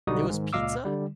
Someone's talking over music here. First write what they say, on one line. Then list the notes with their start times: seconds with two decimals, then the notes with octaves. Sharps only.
it was pizza,
0.07 B1 D3 G3 D#4 F#4 D#6
0.29 G#2 D#3
0.53 C#2 A#2 D#5 F5 D6 E6
0.85 D3 G3